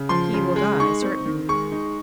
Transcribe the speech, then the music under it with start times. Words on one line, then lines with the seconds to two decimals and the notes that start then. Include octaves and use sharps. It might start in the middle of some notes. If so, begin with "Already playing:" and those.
"He will die, certainly."
Already playing: C#3
0.09 F3 C6
0.34 C#3
0.56 G#3
0.80 D#4 C#6
1.02 C4
1.25 D#3
1.49 G#3 C#6
1.72 D#4